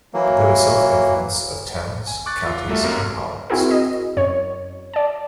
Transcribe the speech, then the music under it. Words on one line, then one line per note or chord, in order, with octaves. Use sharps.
There were self-governments of towns, counties and parliaments.
E3 F#3 A#3
G#5
C#6 D6 F#6 A6
F4
G3 A3 A#3 F#4 A4 E5
B1 F#2 C3 A#4 F5 A#5
C4 E4 F#4 G#4 A#4
D#5
F#2 C#5
D5 A5